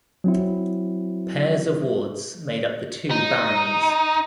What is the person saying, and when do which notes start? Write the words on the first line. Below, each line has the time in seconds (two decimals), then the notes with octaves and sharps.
Pairs of wards made up the two Baronies.
0.24 F#3 C4 E4
3.11 D#4